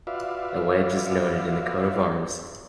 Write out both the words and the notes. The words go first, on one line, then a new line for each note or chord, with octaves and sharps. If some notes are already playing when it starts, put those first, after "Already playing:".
The wedge is noted in the coat of arms.
F4 F#4 B4 D5 E5 F5